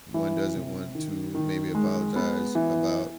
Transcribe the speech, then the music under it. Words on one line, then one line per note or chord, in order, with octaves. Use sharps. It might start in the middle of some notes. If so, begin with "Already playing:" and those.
one doesn't want to maybe apologize about
E3
C3
D#3
D#3
G#3
B3
E3